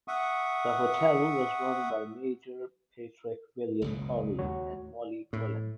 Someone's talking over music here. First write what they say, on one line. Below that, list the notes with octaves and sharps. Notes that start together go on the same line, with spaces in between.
The hotel was run by Major Patrick William Coghlan and Molly Colan.
E5 F#5 C#6 D#6
F#1 C#2 B2
D#2 F#4 C#5
A2